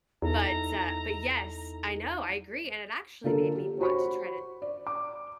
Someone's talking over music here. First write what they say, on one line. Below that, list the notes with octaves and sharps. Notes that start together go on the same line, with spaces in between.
but, uh, but yes, I know. I agree. And it actually made me want to try to
E2 D#4 E4 A4 A#5
D3 A#3 F4 A4 A#4
G4
F#4 C5 C#5 B5 C#6
D5
D6